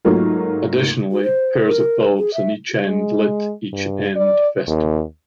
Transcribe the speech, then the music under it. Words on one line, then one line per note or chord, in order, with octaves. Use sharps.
Additionally, pairs of bulbs on each end lit each end vestibule.
G#2 F#3 A3 A#3 F4
F#4
C5
A#4
G#4
E5
G#3
G2
D5
D#2